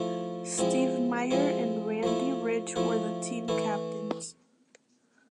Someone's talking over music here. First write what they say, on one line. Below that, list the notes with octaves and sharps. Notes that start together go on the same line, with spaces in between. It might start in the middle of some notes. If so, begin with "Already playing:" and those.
Steve Myer and Randy Rich were the team captains.
Already playing: F3 A3 E4
F3 G#3 C4 E4
F3 G#3 C4 E4
F3 A3 E4
F3 A3 E4
E3 A3 E4